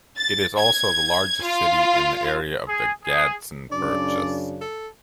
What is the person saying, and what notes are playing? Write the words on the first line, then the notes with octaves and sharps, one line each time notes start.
It is also the largest city in the area of the Gadsden Purchase.
A6
G#6
F4
G#4
G#4
F#2 C#3 D4 D5
A4